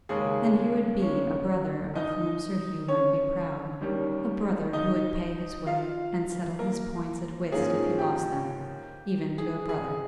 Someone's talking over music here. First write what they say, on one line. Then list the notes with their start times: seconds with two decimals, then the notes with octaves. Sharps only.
Then he would be a brother of whom Sir Hugh might be proud--a brother who would pay his way, and settle his points at whist if he lost them, even to a brother.
0.09 D#2 C#3 G#3 C#4 G#4
1.02 C#4 C#5
1.95 D#4 D#5
2.88 C#4 C#5
3.81 D#2 D#3 G3 C#4
4.73 D#4 D#5
5.66 F4 F5
6.59 A#3 A#4
7.52 G#2 F3 A#3 C#4 G#4
7.98 G4
9.38 G#4
9.69 G#4